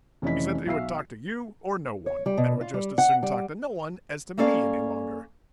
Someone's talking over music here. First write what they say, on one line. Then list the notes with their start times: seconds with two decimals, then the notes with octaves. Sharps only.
He said that he would talk to you or no one and would just as soon talk to no one as to me any longer.
0.22 F1 E3 C#4 E4 D#5 B6
0.66 B1 F#4 E5 F5 E6 C7
2.06 C#5
2.26 G3
2.37 B2
2.61 F4
2.74 G3
2.98 F#5
3.23 G3
4.37 A#3 C#4 A4 D5 F5